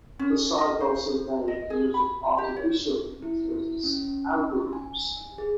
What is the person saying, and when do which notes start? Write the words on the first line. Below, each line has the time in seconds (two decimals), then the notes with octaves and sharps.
The site also made use of artificial intelligence algorithms.
0.19 C#4
0.58 D#5
0.81 C5
1.48 D#5
1.70 G#4
1.94 B5
2.38 G4
2.56 C#5
3.22 E4
3.84 C#4
4.73 G#5
5.38 G#4